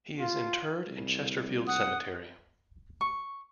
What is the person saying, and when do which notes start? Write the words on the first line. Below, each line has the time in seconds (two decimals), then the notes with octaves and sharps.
He is interred in Chesterfield Cemetery.
0.19 F4
0.88 C2
1.67 F#5 D#6
3.01 C#6